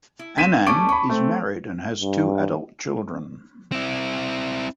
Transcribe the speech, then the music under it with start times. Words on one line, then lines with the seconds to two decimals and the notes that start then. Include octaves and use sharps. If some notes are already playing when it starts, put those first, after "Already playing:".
Annan is married and has two adult children.
0.19 E4
0.38 C4 B6 D#7 E7
0.67 G3 A3 C#4 C#6 D6 D7
0.89 C#4 B5 C#6
1.09 A3 C4
2.01 G2
3.72 C4 E4